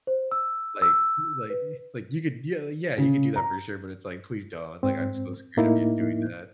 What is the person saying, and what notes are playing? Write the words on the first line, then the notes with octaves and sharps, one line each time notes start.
Like like like, "You could ye yeah, you could do that for sure," but it's like, "Please don't. Like, I'm so scared of you doing that."
C5
E6
E6
B4
C#3
A#5
G#2 C4
A2 A#3 D#4 E4